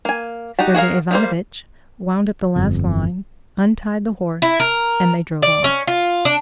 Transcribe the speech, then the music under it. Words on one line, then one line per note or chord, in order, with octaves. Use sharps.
Sergey Ivanovitch wound up the last line, untied the horse, and they drove off.
A#3 G#5
D#4 F#4 G4 A5
F#4 G#4 A#4 F5
G3 A#3 C5
G1 F2
E4
A#4
D5
C#4
F4
D4